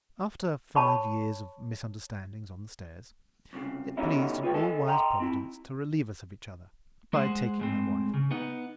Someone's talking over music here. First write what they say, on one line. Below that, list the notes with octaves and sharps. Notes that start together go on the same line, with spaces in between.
After five years of misunderstandings on the stairs, it pleased an all-wise Providence to relieve us of each other by taking my wife.
C#5 A5 B5 C#6
C2 G2 A#2 C#3
B2 D3 G3 C#4 D#4 E4
G#3 F4 G#4 B4 G5
A4 D#5 G#5 A5
D#5 G5 A5 A#5 C6
C4 E4
G#3 G#4 C5 F#5
A2 G#3 C4
C#3
B3 D#4 F#5